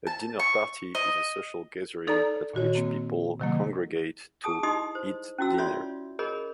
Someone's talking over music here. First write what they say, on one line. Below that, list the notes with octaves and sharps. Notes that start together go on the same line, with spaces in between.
A dinner party is a social gathering at which people congregate to eat dinner.
A5
C#6
D#5
D#4 A4 D5 A5 A#5
A#2 D#3 F#4 C#5
A#3 C4
C3 D#3 F#3 A#3
G#4 A5 D#6
D#4 E4 G4 D#5 C6 D#6
C5
C#4 E4 F#4 E6
F4 C#5 D5 E5 C6
G#4 A#4 C#5 D#5 B5